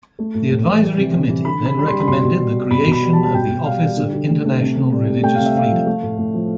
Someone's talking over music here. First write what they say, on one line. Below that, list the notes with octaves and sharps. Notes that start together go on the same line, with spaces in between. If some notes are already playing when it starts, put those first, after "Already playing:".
The advisory Committee then recommended the creation of the Office of International Religious Freedom.
A3
A2
A2
E3
G3
C3
C3
E3
D3 B5
D3 B5
G3 B5
G3 C6
B5
B2 C6
B2
G3
G3
B2 B5
B2
B5
G3
A5
G3
A5
B2 G5
B2
G3 F5
G3
D3
D3
A3
A3
C3
C3
G3
G3
A3 G5
C3 F5
E5
C3 F5
F3
A3
A2
A2
F3